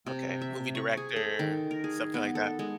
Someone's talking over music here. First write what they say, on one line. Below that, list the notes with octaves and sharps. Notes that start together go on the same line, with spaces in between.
Okay, movie director, something like that?
C3
E5
C#6
G#4
A4
D#3
A#4
G#4
B3
A4
G#3